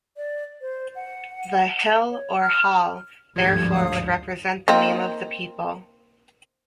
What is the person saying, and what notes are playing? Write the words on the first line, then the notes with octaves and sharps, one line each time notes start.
The "Hil-" or "Hal-" therefore would represent the name of the people.
D5
C5
F#5
C#5
F6
G#1 D2 G2 F3 G4 G#6
F5 D#6
A#3 C4 D#4